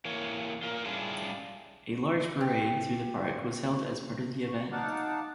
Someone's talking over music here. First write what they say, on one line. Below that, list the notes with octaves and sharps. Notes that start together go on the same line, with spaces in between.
A large parade through the park was held as part of the event.
E3 A#3 C#5
F4 A#4
G3 C#4 D4 E4 F4 G#4
G4
C#6
D#4 F5 F#5 A5 D6